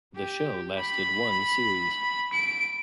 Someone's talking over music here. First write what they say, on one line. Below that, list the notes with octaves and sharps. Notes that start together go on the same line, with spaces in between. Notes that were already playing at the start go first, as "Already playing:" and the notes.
The show lasted one series.
G4
B5
D7